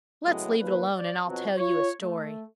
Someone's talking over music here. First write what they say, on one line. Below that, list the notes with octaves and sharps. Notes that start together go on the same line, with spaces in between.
Let's leave it alone and I'll tell you a story.
F#2 A2 C#3 F#3 G#3 B3
D#2 A#2 A#3 B4
D5
F2 B2 F#3
F4 C#5
A3